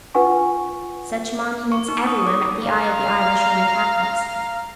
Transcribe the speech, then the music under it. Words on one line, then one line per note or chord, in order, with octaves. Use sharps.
Such monuments every where met the eye of the Irish Roman Catholics.
F4 B4 F#5 G#5 C#6
C#6
D#4
D#6
D6
F5 A#5